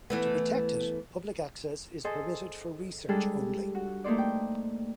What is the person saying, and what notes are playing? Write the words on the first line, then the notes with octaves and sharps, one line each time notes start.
To protect it, public access is permitted for research only.
E3 A3 B3
G#4 A4 C5 D#5 G#5
G3 G#3 D4 G#4 A4
F#4
A3 A#3 D#4 C5 D5
G5